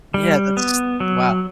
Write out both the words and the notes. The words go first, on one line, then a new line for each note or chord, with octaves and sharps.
Yeah, that's wow.
G3
B3
F#3